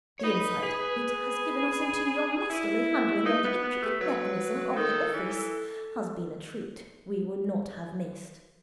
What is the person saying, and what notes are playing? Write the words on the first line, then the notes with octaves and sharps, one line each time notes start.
The insight it has given us into your masterly handling of the intricate mechanism of the office has been a treat we would not have missed.
C#5
D#4 B4
G#4
E4
D#4 B4
B3
B3
A3
F#3 B4
D#3 A4
E3